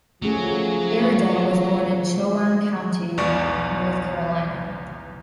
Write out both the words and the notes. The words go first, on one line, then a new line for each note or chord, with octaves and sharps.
Iredell was born in Chowan County, North Carolina.
F3 F#3 A3 C#4 G#4
B1 E2 D5 C#6